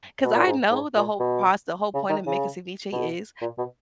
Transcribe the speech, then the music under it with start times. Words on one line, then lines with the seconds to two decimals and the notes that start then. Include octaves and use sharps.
'cause I know the whole proc the whole point of making ceviche is,
0.25 B2
0.35 A#2
0.45 G#2
0.71 G#2
0.95 A#2
1.20 B2
1.94 C#3
2.10 D#3
2.26 C#3
2.92 B2
3.41 A#2
3.58 B2